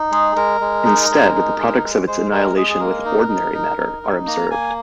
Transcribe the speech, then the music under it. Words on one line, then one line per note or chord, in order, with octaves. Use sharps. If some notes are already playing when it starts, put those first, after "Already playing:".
Instead, the products of its annihilation with ordinary matter are observed.
Already playing: D#4
G#3 G#4
G#3 A#4
G#3
D#4
G#3
D#4
G#3
G#3
G#3 C5
G#3 A#4
G#3 G#4
G#4
A#3 A#4
D#4
D#4
D#4
D#4
D#4
A#3 A#5
A#3 G#5